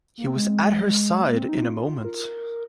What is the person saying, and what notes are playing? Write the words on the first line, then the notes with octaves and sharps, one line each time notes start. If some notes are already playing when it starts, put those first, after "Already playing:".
He was at her side in a moment.
A#3
C4
G#3
A#3
C4
D#4
F4
A#4